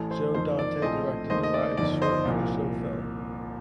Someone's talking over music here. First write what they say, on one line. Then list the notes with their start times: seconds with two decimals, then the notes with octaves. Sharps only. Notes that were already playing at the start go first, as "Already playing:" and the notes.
Joe Dante directed the ride's short preshow film.
Already playing: A1 A2 A3
0.11 C5
0.34 F2 D#3 A#3 C5
0.59 D5
0.82 A#1 A2 A3 C4 C5 D#5
1.30 D#2 D#3 A3 C5 D#5
1.43 D#5
1.54 D5
1.77 G1 F2 D#3 D5
2.02 C5 D#5
2.25 C2 A#2 F3